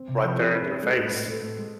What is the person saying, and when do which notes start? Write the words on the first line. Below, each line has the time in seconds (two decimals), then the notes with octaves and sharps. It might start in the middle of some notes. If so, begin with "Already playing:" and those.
right there in their face
Already playing: C4
0.08 C3
0.16 C4
0.24 F3
0.38 E4 G#4
0.53 E4
0.61 G#4
0.68 E4
0.83 G#3 A4
0.95 A2 B4
1.05 C5
1.14 A2 B4
1.28 A2 A4
1.43 A2
1.58 G#3